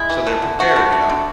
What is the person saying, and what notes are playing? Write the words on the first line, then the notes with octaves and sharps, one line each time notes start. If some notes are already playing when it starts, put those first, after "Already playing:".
so they're prepared, you know?
Already playing: G#3 E4
E3
A3
D3
A3 F#4
D3
A3
D3